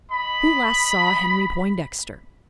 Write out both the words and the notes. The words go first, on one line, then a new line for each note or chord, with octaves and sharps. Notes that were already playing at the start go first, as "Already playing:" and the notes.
Who last saw Henry Poindexter?
D#5 B5